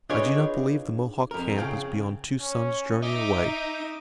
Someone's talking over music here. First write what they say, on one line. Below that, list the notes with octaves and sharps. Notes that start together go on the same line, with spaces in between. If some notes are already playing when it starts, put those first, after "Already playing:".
I do not believe the Mohawk camp is beyond two suns' journey away.
D4 D#4 F4 G#4 B4 C#5
F2 A#4
C#3 G#4 F5 G5
C#4
D#4 E5 D6 D#6